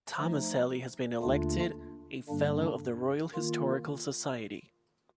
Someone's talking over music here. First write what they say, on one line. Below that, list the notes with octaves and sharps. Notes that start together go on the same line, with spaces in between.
Tomaselli has been elected a Fellow of the Royal Historical Society.
F3 A3 D#4
D#2 D3 A3 D4 F4
G2 D3 G3 A#3 D4
D#3 A#3 F4